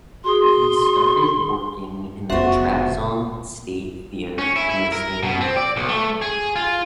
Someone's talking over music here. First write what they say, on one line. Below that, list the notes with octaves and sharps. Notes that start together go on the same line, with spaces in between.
He started working in the Trabzon State Theater in the same year.
F#4 G#4 C6 D#6
F1 C#3 B3 F4 F#4 C5 E5
C#4
E4
E4
A#4
B2
C4
D5
B1
A3
G#4
F4